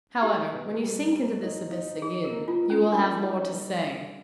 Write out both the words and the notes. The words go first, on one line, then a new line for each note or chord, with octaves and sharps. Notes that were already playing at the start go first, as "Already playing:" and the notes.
However, when you sink into this abyss again, you will have more to say.
D#4 G4
B2
G3
G3
D#4
D#4
D#4 G#4
A#4
A#3
F4
A#3
C#4
A#3 D4
D#4
G3
D3